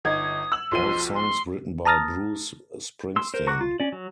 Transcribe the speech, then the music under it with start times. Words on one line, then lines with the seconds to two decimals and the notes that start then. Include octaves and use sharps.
All songs written by Bruce Springsteen.
0.05 G1 D#4 D#6 G#6
0.52 E6 F#7
0.71 B1 F3 C6 D#7
1.15 C6
1.85 A5 A#5 D#6 F6 A6 A#6
3.16 C6 E6
3.34 A#4 C5
3.47 F#4 A#5 C#6 D6 F#6
3.61 F4
3.80 C#4 D5
3.92 F#3